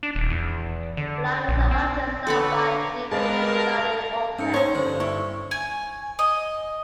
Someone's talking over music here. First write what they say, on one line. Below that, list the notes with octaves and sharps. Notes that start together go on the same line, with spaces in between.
Flyweight objects are by definition value objects.
D4
D#1
E2
D3
A#1
C4
D3 A4 B4 C#5 F#5 B5 D6
G2 G#3 G#4 A#4 B4 D#5 F5 A5
G#2 C#4 C#7
D#4 C5 C#5
G2 D3 C5
E4 C#6
G#5
D#5